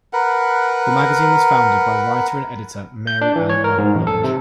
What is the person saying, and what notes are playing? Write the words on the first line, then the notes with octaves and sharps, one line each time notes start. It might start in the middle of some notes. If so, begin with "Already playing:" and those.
The magazine was founded by writer and editor Mary Anne Mohanraj.
A#4 B4 F#5
G6
D4
E3
C#5
A#4
G#2
A1
A4
C3